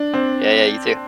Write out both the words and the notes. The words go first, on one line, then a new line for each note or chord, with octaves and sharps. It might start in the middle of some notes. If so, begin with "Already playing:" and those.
Yeah, yeah, you too.
Already playing: D4
C4